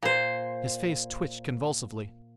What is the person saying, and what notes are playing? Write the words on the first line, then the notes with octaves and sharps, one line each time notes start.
His face twitched convulsively.
A#2 C5